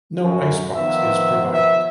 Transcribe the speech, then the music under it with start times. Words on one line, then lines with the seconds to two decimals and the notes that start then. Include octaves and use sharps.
No icebox is provided.
0.23 F#2
0.76 D#3 F3 B3 E5
1.52 E5